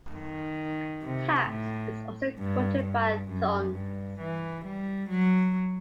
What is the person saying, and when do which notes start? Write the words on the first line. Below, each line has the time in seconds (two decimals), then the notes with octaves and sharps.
"Taps" is also quoted by Thunes.
0.13 D#3
1.03 C3
1.49 A2
2.38 G2
2.84 G2
3.29 F#2
3.74 G2
4.20 E3
4.65 G3
5.09 F#3